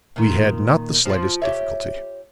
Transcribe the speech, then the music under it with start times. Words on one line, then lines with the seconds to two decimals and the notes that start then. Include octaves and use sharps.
"We had not the slightest difficulty."
0.16 A#2 D#3
1.05 F3 F4
1.42 G4 C#5 E5